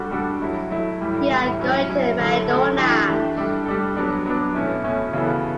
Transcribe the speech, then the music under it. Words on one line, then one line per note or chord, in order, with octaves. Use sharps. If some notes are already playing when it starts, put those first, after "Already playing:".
We are going to Mediona.
Already playing: G3 D4 F#4 A4
G3 D4 F#4 A4
F#3 A3 E4
F#3 A3 E4
A2 E3 G3
A2 E3 G3
F#3 C#4 E4
F#3 C#4 E4
D3 F#3 A3 E4 A4
D3 F#3 A3 E4 A4
E3 A3 D4 G4
E3 A3 D4 G4
G3 D4 A4
G3 D4 A4
F#3 B3 D4
F#3 B3 D4
B2 A3 C#4 E4
B2 A3 C#4 E4
C#3 E3 B3 F#4 A4